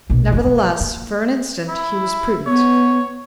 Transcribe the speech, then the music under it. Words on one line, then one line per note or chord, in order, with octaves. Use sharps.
Nevertheless, for an instant, he was prudent.
A#1 B2
F2 G#2
B1
A#3
E4
B3 C#5